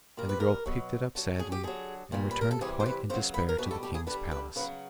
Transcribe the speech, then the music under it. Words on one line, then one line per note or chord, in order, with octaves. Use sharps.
And the girl picked it up sadly, and returned quite in despair to the king's palace.
A#2 G3 A#4
B4
A#4
B2 F#3
D3 F#3
G#4
G4
D3 F#3 G#4
A#2 G3
B4
A#4
A4
C3 E3 G3 G#4
C5
B4
C#3 F#3 C5
B4
A#4
B2 G3 B4
A4
G4
G#4
D3 G3 B4
B4
C#3 F#3 B4